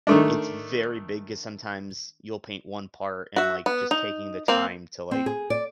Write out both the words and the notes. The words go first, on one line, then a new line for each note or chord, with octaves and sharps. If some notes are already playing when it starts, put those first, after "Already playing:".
It's very big 'cause sometimes you'll paint one part and, like, just taking the time to, like
D#3 A3 D4
F#4 E5
B3
D#4
A#3 C4
C4
G#4
D5